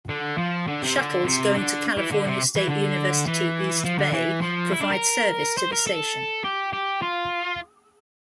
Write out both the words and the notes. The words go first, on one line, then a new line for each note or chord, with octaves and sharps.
Shuttles going to California State University, East Bay provide service to the station.
D3
F3
D3
C3
D3
C3
D3
E3
D3
C3
E3
D3
E3
F3
D3
E3
F3
E4
D4
A#4
C5
A#4
A4
G4
G4
F4